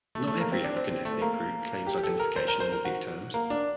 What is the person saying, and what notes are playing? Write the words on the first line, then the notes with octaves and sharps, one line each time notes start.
Not every African ethnic group claims identification under these terms.
A3
A3
A#3
C4
D4
C4
C4
A3
A#3
G4
G4
A4
A#4
C5
A#4
C5
A#4
F#4
A#3
D4